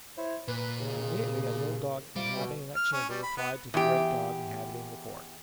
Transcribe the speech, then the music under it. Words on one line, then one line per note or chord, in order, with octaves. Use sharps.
Immediately a little dog inhabiting that chamber replied to the great dog inhabiting the court.
E4 C5 C#5
A#2 B4
D#2 C#3
C3 G3 F4 D6
B2
F6
C#4
G3
B5
B3
E2 G4